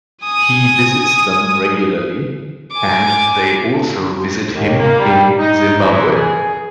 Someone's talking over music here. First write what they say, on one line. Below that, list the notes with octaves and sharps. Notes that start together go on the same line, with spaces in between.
He visits them regularly and they also visit him in Zimbabwe.
G#5 D#6
G#5 D6
D#2
A#3
G3
D#4
E3
G#4